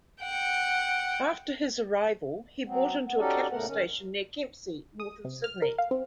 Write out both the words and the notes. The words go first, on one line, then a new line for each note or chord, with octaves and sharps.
After his arrival, he bought into a cattle station near Kempsey, north of Sydney.
F#5 G5
F#3 B3 C4
B3
C#4 D#4 F#4 G4 A4 D5
A#2 C#3 A3 B3 A#4 F#5
G#2 D#3 C#4
D#6
C3
F6
A#4
F5
C4